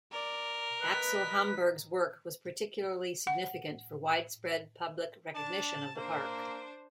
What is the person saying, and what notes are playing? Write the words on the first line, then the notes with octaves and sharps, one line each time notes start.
Axel Hamburg's work was particularly significant for widespread public recognition of the park.
A#4 D5
B4 D#5 B6
F#5
D4 A5
A#3 D4 C5